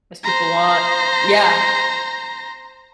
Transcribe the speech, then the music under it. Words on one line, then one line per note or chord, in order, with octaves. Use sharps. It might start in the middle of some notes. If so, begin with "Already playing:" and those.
as people want. Yeah.
C5 A#5